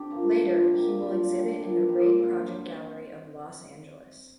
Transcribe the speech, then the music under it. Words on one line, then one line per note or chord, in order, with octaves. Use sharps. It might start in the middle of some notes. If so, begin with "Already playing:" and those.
Later, he will exhibit in the Raid Project Gallery of Los Angeles.
Already playing: D3 C4 D4 G4
G2 F3 A#3
G2 D3 F3
C3 A#3 G4
D3 F3 C4 F4
D3 A#3 G4
A#2 G3 C4
D3 F3 A#3 G4
G2 D3 G3 C4